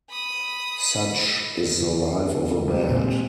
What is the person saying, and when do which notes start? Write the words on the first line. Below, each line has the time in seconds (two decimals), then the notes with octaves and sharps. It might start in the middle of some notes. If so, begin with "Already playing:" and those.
Such is the life of a band.
0.10 B5 D#6
2.68 F#3 G3 G4
2.89 A#2 G#3 C4 G4